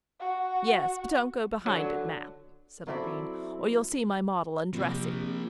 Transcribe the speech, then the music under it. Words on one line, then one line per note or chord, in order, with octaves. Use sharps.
"Yes, but don't go behind it, Mapp," said Irene, "or you'll see my model undressing."
F#4
D3 F#3
F#3 C4 E4 A4 D5 E5
C3 F3 A#3